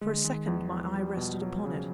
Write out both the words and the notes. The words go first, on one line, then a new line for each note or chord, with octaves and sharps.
For a second my eye rested upon it.
D3 G#3
D#3 G#3
E2 F3
E2
G3
B2
F#3
C#3